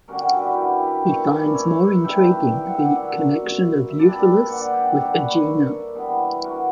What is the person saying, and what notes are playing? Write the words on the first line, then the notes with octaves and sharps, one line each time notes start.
He finds more intriguing the connection of Eupolis with Aegina.
D3 G3 C#4 F#4 A#4
F#4 A#4
E4 G4
F#4 A#4 B4
E4 G4
G4 B4
A#2 A#3 C#4 A#4 C#5
B4 D5
C#5 E5
E3 G3 A#3 D4 E5 G5
G5
F#5
E5
D5 F#5
D3 F#3 A#3 D4 C#5 E5
E5
A#2 G3 A#3 D4 B4 D5
D5 F#5
D5 F#5
E5 G5
D5 F#5
D3 A#3 D4 C#5 E5
B4 D5
A#4 C#5
E3 G3 B3 D4
F#4 A#4